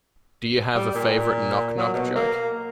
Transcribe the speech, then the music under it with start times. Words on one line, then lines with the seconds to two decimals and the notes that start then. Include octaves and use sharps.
Do you have a favourite knock knock joke?
0.75 G3
0.94 A#2
1.77 F#3
1.94 B2
2.15 A#3